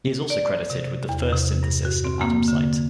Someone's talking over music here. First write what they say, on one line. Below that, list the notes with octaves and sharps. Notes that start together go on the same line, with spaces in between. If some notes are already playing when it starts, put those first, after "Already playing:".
He is also credited with the first synthesis of Adamsite.
D5
C3
E2
C3
G2
F#4
C4
A#3
D3